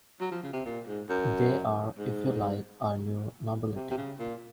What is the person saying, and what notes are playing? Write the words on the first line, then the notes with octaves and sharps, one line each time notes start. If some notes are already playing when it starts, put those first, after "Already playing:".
They are, if you like, our new 'nobility'.
F#3
F3
C#3
C3
A#2
G#2
F#2
G#2
C3
C3
C#3
A#2